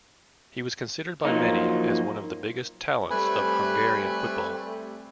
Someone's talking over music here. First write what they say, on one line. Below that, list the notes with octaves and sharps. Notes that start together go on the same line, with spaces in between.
He was considered by many as one of the biggest talents of Hungarian football.
F3 F#3 A#3 D#4
G3 A3 C4 B4 G#5 B5